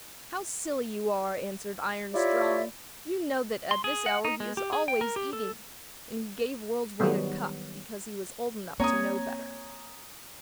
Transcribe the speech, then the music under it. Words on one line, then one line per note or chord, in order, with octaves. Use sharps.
'How silly you are!' answered Iron-strong; 'you know that at this hour he is always eating.' And he gave World's-weight a cuff, because he was old enough to know better.
E4 F4 G4 C#5 D5 E5
C6
G#4
F#5
D#4
G#3
G4
G#4
G5
A#4
G4
A4
D#3 F#3 G3 B3
A#3 C4 C#5 G#5 A#5 D#6